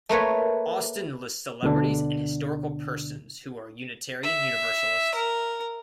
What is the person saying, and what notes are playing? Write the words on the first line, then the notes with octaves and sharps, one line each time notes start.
Austin lists celebrities and historical persons who are Unitarian-Universalists.
A3 A#3 B4 C#5
D2 B2 D3 D4
E5
A#4